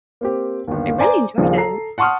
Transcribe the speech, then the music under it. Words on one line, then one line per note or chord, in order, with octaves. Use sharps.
I really enjoyed it.
A#3 C4 G4
G1 D#2
C5 D5 G#5 A#5 D6
A#1 D#2 C#3 F3
A4 A#5 C7
F#5 A5 C6 C#6 D#6 F6